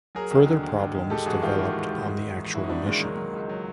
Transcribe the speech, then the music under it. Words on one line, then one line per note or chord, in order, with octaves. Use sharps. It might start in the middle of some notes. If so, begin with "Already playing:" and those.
Further problems developed on the actual mission.
F#3 G#4 A#4
D#2
D3
D#2
D#2
D#2
G#2 G4 A4
A1 F#4 G#4
D#3 F4 G4
A1 E4 F#4
G#3
D#3
G#2
D#3
A1
A1 E4 F#4
D#4
A1 D4 E4
D#3 G#3 A#3
F#3
F#3
C#2
F#3